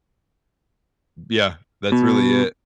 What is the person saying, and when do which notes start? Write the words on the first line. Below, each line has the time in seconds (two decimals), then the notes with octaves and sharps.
Yeah, that's really it.
1.92 B2